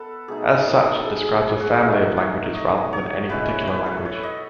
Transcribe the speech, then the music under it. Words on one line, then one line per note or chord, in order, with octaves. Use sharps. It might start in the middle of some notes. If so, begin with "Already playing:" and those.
As such, it describes a family of languages rather than any particular language.
Already playing: B3 A4 B4
B2 A3 D#4 G#4
A4
A4
G#4
G#4
G#4
F#4
D#3 F#3 A3 D#4 A4
C#5
D#5
C#5
B2 G#3 C#4 E4 B4
C#5
B4
A4
C#5
D#5